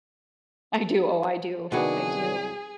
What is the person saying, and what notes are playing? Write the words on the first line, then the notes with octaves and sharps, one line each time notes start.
I do. Oh, I do, I do.
C2 D#3 F#3 B3 D4 F#4 G#4